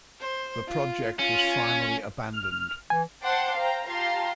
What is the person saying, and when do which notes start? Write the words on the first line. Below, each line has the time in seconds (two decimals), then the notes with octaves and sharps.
The project was finally abandoned.
0.20 C5
0.68 F4
1.19 C#4 F4
2.34 F6
2.90 E3 G#5
3.22 C5 F#5 G5 A5 C6 D6
3.57 C5 F5 G5 A#5
3.87 F4 G4 F5 A5 A#5 C6